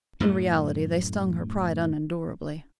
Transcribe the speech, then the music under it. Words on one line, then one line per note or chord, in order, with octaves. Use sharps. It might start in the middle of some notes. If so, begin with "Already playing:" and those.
In reality they stung her pride unendurably.
F#2 A2 A3